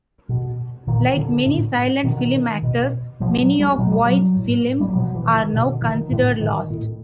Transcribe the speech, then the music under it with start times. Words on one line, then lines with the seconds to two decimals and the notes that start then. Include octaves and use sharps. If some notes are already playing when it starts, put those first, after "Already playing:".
Like many silent film actors, many of White's films are now considered lost.
0.29 B2
0.87 A#2 D#3
1.17 D3
1.46 A2
2.04 B2 D#3
2.63 B2
3.20 B2 F3
3.41 F#3
3.59 G3
3.78 B2 F#3
3.92 G3
4.05 F#3
4.37 A2
4.80 G3
4.88 F#3
4.95 B2 F3
5.15 E3
5.34 D#3
5.53 B2 D3
5.82 D#3
6.11 A2 D3
6.40 D#3
6.70 A2